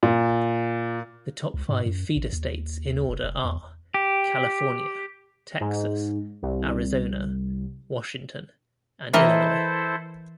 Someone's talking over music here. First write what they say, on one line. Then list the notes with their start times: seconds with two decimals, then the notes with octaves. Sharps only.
The top five feeder states in order are California, Texas, Arizona, Washington, and Illinois.
0.03 A#2
1.54 C#2
1.69 G#2
1.86 F#2
2.17 A1
2.33 D#2
3.09 F1
3.24 F1
3.44 E2
3.94 G4
5.61 G#2
6.42 C2
9.13 E3 E4 A4 A#4 C5 D#5